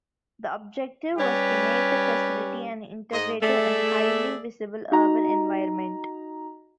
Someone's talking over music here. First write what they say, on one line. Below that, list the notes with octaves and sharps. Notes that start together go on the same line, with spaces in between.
The objective was to make the facility an integrated and highly visible urban environment.
G3 C#4 G4 B4
G#2 D#5
A3 G#4 D5 E5
D#4 F#4 D#5 A#5